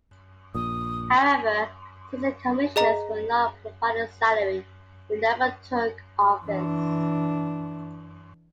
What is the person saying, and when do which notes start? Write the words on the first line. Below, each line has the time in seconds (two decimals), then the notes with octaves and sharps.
However, since the commissioners were not provided a salary, they never took office.
0.55 A#1 A#2 D#6
2.76 G#4 D#5 A#5
6.46 E3 D4